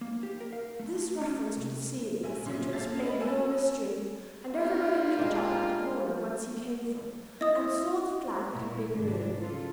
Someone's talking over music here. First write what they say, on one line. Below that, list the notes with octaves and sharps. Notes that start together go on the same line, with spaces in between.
This reference to the ceiling seemed to explain the whole mystery; and everybody looked up at the corner whence he came from, and saw the flag that had been removed.
A#3
G4
A#4
F5
A3
C#4
C2
A#1 E5 G#5
A#2 C#3 F#3 B6
A#3 F4 A4 E5 A6
D#5 B5
F#4 G#5 A5 E6
G3 A#3 F4
G#3 D4
E4 D#5 D#6
A#2 E4
G#2 C3 D#3 F#3 D4
C#3 F4 A4